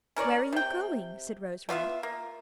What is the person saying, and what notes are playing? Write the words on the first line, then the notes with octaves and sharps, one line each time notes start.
"Where are you going?" said Rose-Red.
C#4 A#4 C#5 D5
C3 G5
A3 B3 F4 E5
A#3